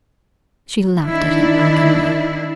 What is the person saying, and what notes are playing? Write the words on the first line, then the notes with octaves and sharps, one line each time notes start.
She laughed at him mockingly.
D#3 D4 E4